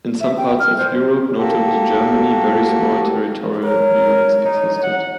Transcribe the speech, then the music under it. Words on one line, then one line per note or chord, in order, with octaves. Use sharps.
In some parts of Europe, notably Germany, very small territorial units existed.
E5
G5
F6
C5
A#3 F#4 G4 A4
A#4 C#5
D#4
F#5